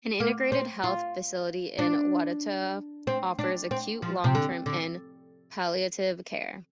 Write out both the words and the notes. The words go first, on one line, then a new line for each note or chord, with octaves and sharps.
An integrated health facility in Wawota offers acute, long-term and palliative care.
A#3
C4
F4
D4
C4
D4
C4
F3
C3
D3
D3